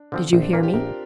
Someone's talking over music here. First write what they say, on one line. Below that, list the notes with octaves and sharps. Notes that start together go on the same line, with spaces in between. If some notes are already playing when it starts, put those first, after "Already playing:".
"Did you hear me?"
Already playing: D4
D3 F3 C4
A#1 C4
D4
A#2 A#3 F4
G4
A#1 A#4